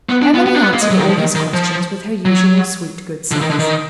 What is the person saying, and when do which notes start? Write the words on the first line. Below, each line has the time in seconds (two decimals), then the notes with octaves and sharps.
Emily answered all his questions with her usual sweet, good sense.
0.09 B3
0.22 D4
0.34 B3
0.46 B3
0.55 D4
0.63 B3
0.73 A#3
0.81 G#3
0.90 F#3
0.99 D#3
1.09 F3
1.17 D#3
1.35 D#3
1.54 F3
2.25 F#3
3.31 D3
3.41 D#3
3.50 D3
3.59 D#3